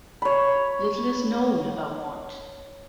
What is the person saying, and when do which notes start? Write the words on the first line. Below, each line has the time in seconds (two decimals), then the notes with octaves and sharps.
Little is known about Wand.
0.22 C#5 B5